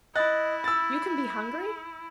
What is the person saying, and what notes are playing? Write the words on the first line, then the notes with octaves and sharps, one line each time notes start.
"You can be hungry?"
E4 D#5 F#6 A6
E6 A6